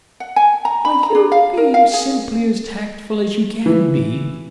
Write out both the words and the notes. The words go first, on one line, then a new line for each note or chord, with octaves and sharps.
"Are you being simply as tactful as you can be?"
F#5
G#5
A#5
B5
A#5
D4
F5
A#4
F5
G#4
E3